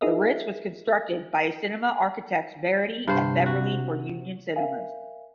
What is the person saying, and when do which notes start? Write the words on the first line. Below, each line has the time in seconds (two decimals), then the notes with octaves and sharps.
The Ritz was constructed by cinema architects Verity and Beverley for Union Cinemas.
0.01 D#4 F4 G#4 A#4 D#5 E5
3.07 G2 C3 C5
3.46 F#4
4.56 A#4 E5 F5 G#5